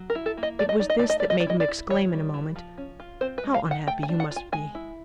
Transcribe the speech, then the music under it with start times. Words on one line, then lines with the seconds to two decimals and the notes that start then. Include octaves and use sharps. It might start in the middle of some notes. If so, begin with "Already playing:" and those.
It was this that made him exclaim in a moment: "How unhappy you must be!"
Already playing: F#3
0.10 A#4
0.15 E4
0.26 A4
0.37 A#3
0.43 D#5
0.59 A3 D5
0.69 D#5
0.80 D#4 D5
0.90 D#5
0.99 A3 D5
1.10 D#5
1.20 G3 D5
1.30 D#5
1.40 D5
1.47 E4 D#5
1.60 D5
1.68 E4
1.90 E3 C#5
2.13 G3
2.34 E3
2.56 F3
2.78 C#4
3.00 F4
3.21 C4 C5
3.38 B4
3.44 G#3
3.54 F5
3.65 D#3
3.71 F#5
3.87 A3 G5
4.03 G#5
4.09 D4
4.20 F#5
4.31 F4
4.36 G#5
4.52 G#3 G#5
4.75 E4